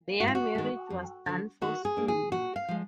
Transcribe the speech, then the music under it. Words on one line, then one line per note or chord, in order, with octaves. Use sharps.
Their marriage was done forcefully.
G#2 F#4
F4
F#4
D#3 G#3
F2
D3 F3
D#3 F#4
G#4
A#3 D4
G#4
A#2 F#4
F5
F3 G#3